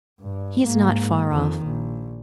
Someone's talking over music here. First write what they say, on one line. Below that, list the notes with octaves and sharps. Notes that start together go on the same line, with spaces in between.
He is not far off....
G2
G#2 A#3
F2 D#3
A#1